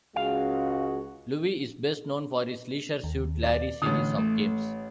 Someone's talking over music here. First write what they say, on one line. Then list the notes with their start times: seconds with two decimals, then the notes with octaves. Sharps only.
Lowe is best known for his "Leisure Suit Larry" series of games.
0.16 C#2 G#3 C#4 F#4 F5
3.04 D#2
3.44 D5
3.82 A1 D3 D#6
4.18 A3